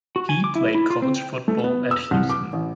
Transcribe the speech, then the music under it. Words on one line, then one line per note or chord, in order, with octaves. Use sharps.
He played college football at Houston.
F#4
G#5
D6
E4
E4
F4
C4
G5
A3
B3
E6
C2
D6
A1